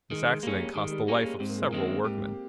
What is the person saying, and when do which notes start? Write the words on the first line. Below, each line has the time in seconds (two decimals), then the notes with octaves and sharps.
This accident cost the life of several workmen.
0.11 D#3 G#3
0.27 G#3
0.43 G3 A#3 C#4
0.59 G#3
0.75 D#3 G#3
0.91 G3
1.08 G#3 A#3 C#4
1.24 G#3
1.40 G#2 C4
1.49 A#3
1.58 G#3
1.68 A#3
1.73 D#3 G#3 C4
2.04 G#2 G4